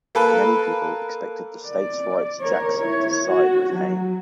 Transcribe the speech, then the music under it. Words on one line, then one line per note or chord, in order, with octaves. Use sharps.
Many people expected the states' rights Jackson to side with Hayne.
A#3 A4 B4
D5
A#4 C#5
E4 C#5
F#4
F#3